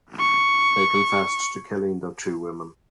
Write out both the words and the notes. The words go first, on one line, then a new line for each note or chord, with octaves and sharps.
They confessed to killing the two women.
C#6